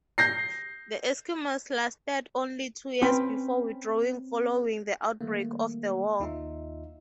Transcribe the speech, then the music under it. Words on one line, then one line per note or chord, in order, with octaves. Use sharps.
The Eskimos lasted only two years before withdrawing following the outbreak of the war.
G6 A#6 C7
C4 C#4 B4 G5
D#3 G3 A3 A#3
D#2 D#4 F4 E5